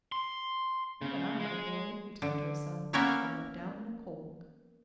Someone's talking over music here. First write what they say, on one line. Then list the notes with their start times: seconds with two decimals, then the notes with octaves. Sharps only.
"You and I, my boy," he turned to his son, "are left out in the cold."
0.12 C6
1.01 C#3
1.40 G#3
2.22 D3
2.93 A#3 B3 C#4 A#4 C#5 E5